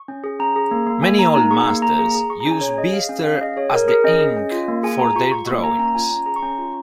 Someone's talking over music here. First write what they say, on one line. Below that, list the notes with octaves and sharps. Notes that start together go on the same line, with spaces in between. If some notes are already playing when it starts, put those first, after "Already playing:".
Many Old Masters used bistre as the ink for their drawings.
Already playing: C#6
C#4
G#4
C#4 A#5
G#4
A#3
A#3
A#3 G#5
A#3 A#5
D#4 A#5
G#4 C#6
A#3 C#6
A#3 A#5
G#4
G#4
G#4 C#6
A#5
C#4
G#5
G#4 C#5
G#4 D#5
G#4 F5
C#4
C#4 F5
G#4 D#5
G#4 C#5
G#4 A#4
G#4 A#4
C#4 D#5
G#4
C#4
F4
A#3
G#4 G#5
G#4 A#5
F4 C#6
F4 C#6
A#3 C#6
A#3 A#5
C#4 A#5
F4 G#5
C#4 A#5
G#4 A#5
C#6
C#4 A#5
F4